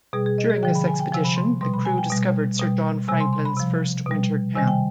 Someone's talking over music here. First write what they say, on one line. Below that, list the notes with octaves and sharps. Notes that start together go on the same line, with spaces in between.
During this expedition, the crew discovered Sir John Franklin's first winter camp.
B2 G3 G#4
G#4
D#5
G#4
D3 F3 G5
B5
G#5
G5
C3 F3 G#5
B5
C6
B2 G3 C6
B5
G#5
G5
B2 G3
B2 G3
C3 G3 G#5
C6
C6
B5
C3 F3
B2 G3
C3 D#3 G3 G#5
G5